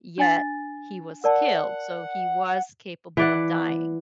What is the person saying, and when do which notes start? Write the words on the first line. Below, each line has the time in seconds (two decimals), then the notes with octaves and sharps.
yet he was killed, so he was capable of dying.
0.18 D4 G#5 A6
1.24 A#4 D5 F#5 A5
3.17 E3 D5 F#5